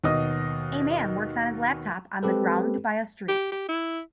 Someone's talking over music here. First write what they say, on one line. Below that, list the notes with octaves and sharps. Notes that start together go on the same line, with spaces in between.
A man works on his laptop on the ground by a street.
D#2 B2 D#5 D#6
G#3 C4 G4 A4 B4
G4
G4
E4